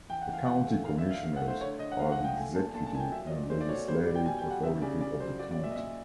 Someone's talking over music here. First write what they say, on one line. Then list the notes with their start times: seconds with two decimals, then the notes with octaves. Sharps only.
The County Commissioners are the executive and legislative authority of the county.
0.09 E3 G5
0.22 F#5
0.29 E3 F5
0.46 E3 F#5
0.66 A3
0.85 D3 F5
0.98 E5
1.05 D3
1.11 F5
1.24 D3 F5
1.36 F#5
1.42 A3
1.48 C5
1.60 D3 C#5
1.79 D3 D#5
1.92 F#5
1.99 G#3 F5
2.12 F#5
2.18 F3
2.25 G5
2.37 A3 G#5
2.55 A#2 A5
2.74 A#2 A5
2.86 A5
2.93 A#2 G#5
3.00 G5
3.11 F#3 E5
3.27 D#5
3.30 F#3 D5
3.50 A3 C5
3.61 D5
3.69 B2 C#5
3.88 G3 C5
4.06 B2 D5
4.15 G5
4.26 B2 G#5
4.39 G5
4.44 G3
4.50 F#5
4.63 C#3 E5
4.82 C#3 D5
5.01 C#3 D5
5.20 F#3 C5
5.39 F#3 D5
5.51 D5
5.58 A#2
5.64 E5
5.71 D#5
5.76 A#2 E5